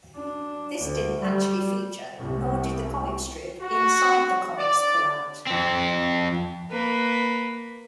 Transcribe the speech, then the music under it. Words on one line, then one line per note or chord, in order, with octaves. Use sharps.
This didn't actually feature, nor did the comic strip, inside the Comix pullout.
D4
D2
G3
C2
F#4
D5
F2 C4
A#3 B4